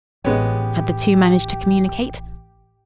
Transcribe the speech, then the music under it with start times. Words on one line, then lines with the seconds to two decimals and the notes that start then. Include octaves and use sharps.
Had the two managed to communicate?
0.25 A1 G#3 B3 G4 C#5